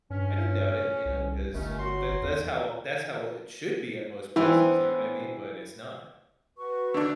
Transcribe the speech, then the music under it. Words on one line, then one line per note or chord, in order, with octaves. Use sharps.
I don't doubt it, you know, 'cause, uh, that that's how that's how it should be at most places. You know what I mean? But it's not.
G2 C#4
C2
G1 D#2 A3 C#4
F#3 F#4 C6
E2
E3 B3 C4 D4
F#4 B4 C#6
D3 A3 D4